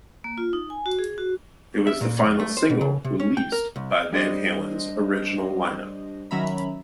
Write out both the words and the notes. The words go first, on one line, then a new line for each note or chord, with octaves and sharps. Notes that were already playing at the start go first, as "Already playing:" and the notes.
It was the final single released by Van Halen's original lineup.
A#3
F4
D#4
G#5
F#4
G#4
F#4
E5
A#2
F2
A3
C5
B2
C#3
C3
C#4
G5
A#4
C2
G3 D4 C5 D#5
D#3 F#3 C#4 E5 A#5 B5